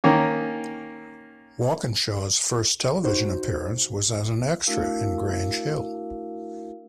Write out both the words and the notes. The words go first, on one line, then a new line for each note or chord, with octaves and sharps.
Walkinshaw's first television appearance was as an extra in "Grange Hill".
D#3 A#3 C#4
D#4 F#4 C5
A3 D4 E4 F#4 A#4 F5